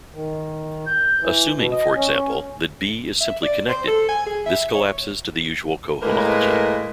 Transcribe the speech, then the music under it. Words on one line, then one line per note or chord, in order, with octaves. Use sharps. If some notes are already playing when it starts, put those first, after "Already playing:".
Assuming for example, that "B" is simply connected, this collapses to the usual cohomology.
D#3
G6
E3
B2
D#5
C#4
E5
D5
C5
A4
G#5
G#4
E5
C#5
A2 G#3 A#3 A#4 B4